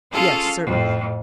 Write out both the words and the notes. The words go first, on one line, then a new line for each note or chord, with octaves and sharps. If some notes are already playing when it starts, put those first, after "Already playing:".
"Yes certainly."
C#4 F4 G#4 A4 F5
F2 A2